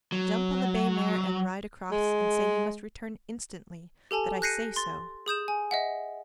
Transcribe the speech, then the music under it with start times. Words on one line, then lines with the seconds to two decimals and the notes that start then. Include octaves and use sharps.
"Jump on the bay mare, and ride across, and say he must return instantly--that I say so."
0.12 F#3
1.92 G#3
4.11 G4 A4 G#5 A5
4.42 F#6 G6 A#6 C7 C#7 D#7
4.76 C6 A6
5.26 G#4 D#6 G6 E7
5.48 G#5
5.71 D#5 E5 F#5